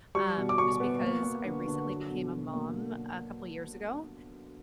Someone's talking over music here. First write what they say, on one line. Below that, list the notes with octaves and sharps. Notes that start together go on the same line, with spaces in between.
um, just because I recently became a mom a couple years ago,
G3 C#6
B2
D6
B2 C#6
B3
A#3
A#3
D3
D3
F#3
B2
B2
A#3